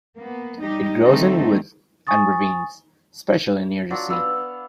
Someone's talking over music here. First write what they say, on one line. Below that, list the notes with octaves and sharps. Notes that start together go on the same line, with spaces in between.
It grows in woods and ravines, especially near the sea.
A#3 B3
G3 D#4 G4 D#5
D3 G3 A3 C4 D#4
G#5 C#6 D#6 A6
F#3 D4 F4
B3 F5 E6